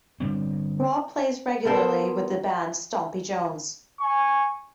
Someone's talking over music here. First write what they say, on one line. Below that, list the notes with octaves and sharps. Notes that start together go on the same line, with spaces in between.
Rob plays regularly with the band Stompy Jones.
D3 G3 C4
B3 A4 A#4 C5
G#5 C#6